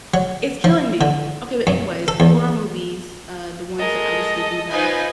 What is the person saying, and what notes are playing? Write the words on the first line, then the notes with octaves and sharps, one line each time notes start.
it's killing me. Okay, but anyways, horror movies, uh, the ones that I was thinking about,
F#3
F3
D3
F#2
A4
E2
G#3 A4 A#4 D#5
D#4 F4 B4 C5 G#5